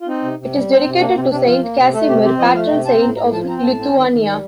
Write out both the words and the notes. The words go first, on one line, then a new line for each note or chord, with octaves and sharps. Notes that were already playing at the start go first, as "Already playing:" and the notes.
It is dedicated to Saint Casimir, patron saint of Lithuania.
F4
C4 D#4
C3
C3
G3
C4
C3
A#3 D4
C3 C4
C3 D4
F3 F4
A#3
C3
A3 A4
C3 G4
C4 G4
F3 D#5
A3 F5
C3 G5
C4 A5
A2 A#5
A2 A#5
F3 A5
C4 A#5
G5
A2 A5
C4
D#3
D#3
G3